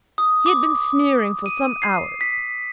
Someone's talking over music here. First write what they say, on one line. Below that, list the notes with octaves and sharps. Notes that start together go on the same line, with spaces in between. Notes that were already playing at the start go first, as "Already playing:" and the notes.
He had been sneering for some hours.
D#6
D6
D#7
C7
B6